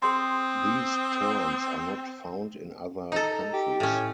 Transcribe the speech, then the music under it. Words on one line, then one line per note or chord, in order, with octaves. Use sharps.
These terms are not found in other countries.
C4 G#4 C6 D#6
D#4 A4 A#5
G4
A2 C#4